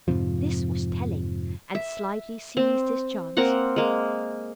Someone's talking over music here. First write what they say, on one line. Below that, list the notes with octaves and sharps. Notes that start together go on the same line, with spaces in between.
This was telling, and Slightly seized his chance.
F2 G#2 C3 F3
E5
C4
A#3 C4 A#4 F#5
G#3 A#3